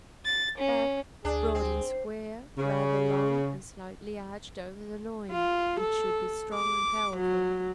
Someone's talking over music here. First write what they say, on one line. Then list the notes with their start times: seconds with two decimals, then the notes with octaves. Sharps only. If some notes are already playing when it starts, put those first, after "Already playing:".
BACK--Broad and square, rather long and slightly arched over the loin, which should be strong and powerful.
0.25 A6
0.58 C#4
1.25 D2 D4 G#4
1.55 C4
2.58 C#3
5.31 F4
5.80 A4
6.54 D6
7.17 F#3